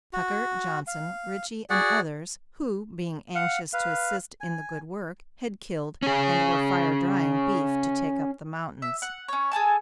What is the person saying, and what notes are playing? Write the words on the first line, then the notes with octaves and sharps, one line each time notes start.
Tucker, Johnson, Richey and others, who, being anxious to assist in the good work, had killed, and were fire-drying, beef to take up the mountains.
F#4
F5
F#4 G#4 D5 F#5
F5 F#5
B4 F5
G#5
C#4 G#4
E5
F#5
C#4 C#5
G#4 A4 G#5 A5